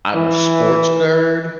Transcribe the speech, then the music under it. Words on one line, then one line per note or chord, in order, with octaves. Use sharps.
I'm a sports nerd
E3